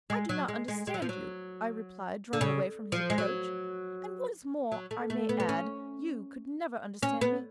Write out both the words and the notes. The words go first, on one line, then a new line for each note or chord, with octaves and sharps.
'I do not understand you,' I replied, drawing away from his approach. 'And what is more, I may add, you could never understand me.'
G#3
F#3
G#3
G#3
G#3
F#3
F3
F#3
D3
C#3
F3
G#3
F#3
F#3
A3
A3
B3
B3
C#4
C#4
B3